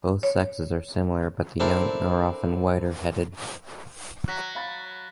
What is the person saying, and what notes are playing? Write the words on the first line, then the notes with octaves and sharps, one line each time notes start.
Both sexes are similar, but the young are often whiter-headed.
C#5
C4 D4 E4 A4 A#4 C5
F#3 F#6 A#6 B6
F5 B5 A6